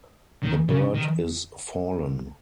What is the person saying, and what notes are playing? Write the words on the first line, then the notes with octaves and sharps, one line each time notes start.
The Bird is Fallen.
D#3
C#3
D#3